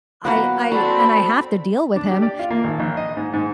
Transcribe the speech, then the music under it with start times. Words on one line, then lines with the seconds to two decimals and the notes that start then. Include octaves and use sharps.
I I and I have to deal with him,
0.25 F#3 A#3 B3 F#4 B4 F#5
0.72 C4 D4 F#4 A4 B5
1.96 D4
2.11 G4
2.22 D5
2.39 F4
2.50 A#3
2.64 G#1
2.80 A#1
2.97 D#5
3.17 G#2
3.33 G#2